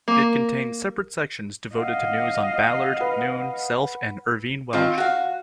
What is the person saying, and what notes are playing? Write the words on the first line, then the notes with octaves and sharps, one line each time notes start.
It contains separate sections devoted to news on Ballard, Noon, Self and Irvine Welsh.
A#3
D#5 F5 F#5
B4
D#3 C4 F4
F#4 F5